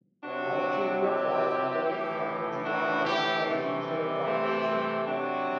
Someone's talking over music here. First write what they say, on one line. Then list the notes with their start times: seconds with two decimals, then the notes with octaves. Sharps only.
Barataria falls under the San Juan-Laventille Regional Corporation.
0.23 C3 F#3 D4 F#4
1.04 E4 G4
1.84 A2 E3
2.65 D4 F#4
3.05 E4 G4
3.45 C3 E3 F#3 A3
3.86 G3
4.26 A3 C4
5.07 C3 F#3 D4 F#4